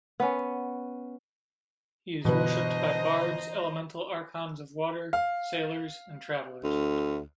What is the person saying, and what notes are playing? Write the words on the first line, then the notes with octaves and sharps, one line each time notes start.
He is worshipped by bards, elemental archons of water, sailors and travelers.
B3 C#4
G1 B2 E3 B4 C5 D#5 A#5
F5
D2